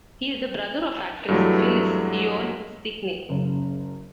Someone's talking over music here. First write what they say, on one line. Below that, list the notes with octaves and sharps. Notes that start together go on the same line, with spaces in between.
He is the brother of actress Phyllis Yvonne Stickney.
G2 E3 F#3 G#3 A3
F#1 C#3